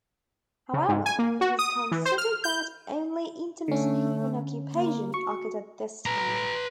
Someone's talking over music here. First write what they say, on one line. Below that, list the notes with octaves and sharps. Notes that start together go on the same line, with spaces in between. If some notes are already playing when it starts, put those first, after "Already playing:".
However, it is considered that only intermittent human occupation occurred at this time.
C#3
G#2
G#5
A#3
F#4
D#6
E3
C5
F6
G6
D3 A3 C#4
A#3
F#4 C#6
B4 A#5